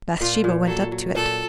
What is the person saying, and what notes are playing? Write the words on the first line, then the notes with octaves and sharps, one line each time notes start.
Bathsheba went up to it.
A#2 F4
A#2
F#3 A4
F#3
A#2 A4